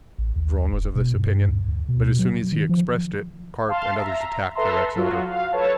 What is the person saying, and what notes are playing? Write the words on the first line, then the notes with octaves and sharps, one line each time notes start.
Dron was of this opinion, but as soon as he expressed it Karp and others attacked their ex-Elder.
A1
D#2
E1
B2
G2
D2
D2
B2
F#3
D#3
F3
F5 A5 C6
E5 A#5
A4 B4 E5 A5 A#5 C6
F#3 F4 F#4
F5
A4 B4 C#5 A5